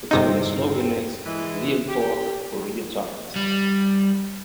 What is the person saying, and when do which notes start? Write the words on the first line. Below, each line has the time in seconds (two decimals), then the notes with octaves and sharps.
Its current slogan is "Real Talk for Real Times".
0.11 G1 E2 C3 C4 D#4
1.25 E3 G#3
1.88 G4
3.36 G3